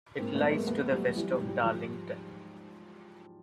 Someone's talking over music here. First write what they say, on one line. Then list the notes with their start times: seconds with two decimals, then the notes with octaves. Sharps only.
It lies to the west of Darlington.
0.19 G#2 A#3 C4
0.35 A3 B3
0.43 F#3
0.51 G#3 A#3
0.67 D#2 A3 B3
0.91 F#3 G3 A3
1.16 E3 G3
1.31 G3
1.40 G#2
1.47 G3
1.63 F3